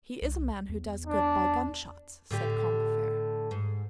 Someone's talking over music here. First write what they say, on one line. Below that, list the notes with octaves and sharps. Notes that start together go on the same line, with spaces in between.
"He is a man who does good by gun-shots," said Combeferre.
C2
E2
D4
A2 D3 G4
G#2